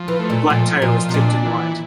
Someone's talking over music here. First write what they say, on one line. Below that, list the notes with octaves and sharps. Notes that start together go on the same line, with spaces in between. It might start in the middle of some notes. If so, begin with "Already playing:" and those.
The black tail is tipped in white.
Already playing: F3
E3
A3
A#2
A#2 F3
A#2 F3
C3
A#2 D4
E3